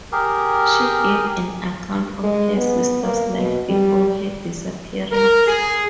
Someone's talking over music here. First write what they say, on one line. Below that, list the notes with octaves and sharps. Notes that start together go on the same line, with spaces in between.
She gave an account of her sister's life before her disappearance.
G4 G#4 A#4
G#3
B3
A#3
B2
G3
A#4
G#4